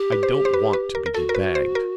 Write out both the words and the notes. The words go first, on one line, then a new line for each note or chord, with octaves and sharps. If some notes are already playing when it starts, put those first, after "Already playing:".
I don't want to be debagged!
Already playing: G4
B4
C5
C5
B4
B4
A#4
A#4
F#4 A4
A#4
B4
C5
A#4